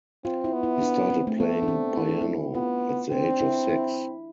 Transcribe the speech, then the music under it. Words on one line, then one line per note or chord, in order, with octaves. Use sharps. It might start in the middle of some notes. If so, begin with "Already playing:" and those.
He started playing piano at the age of six.
C4 F4
E4
B3
E4
D4
C4
A3
A3 B3
D4
C4
E4
D4
E4
B3 F4
C4 D4
E4
E4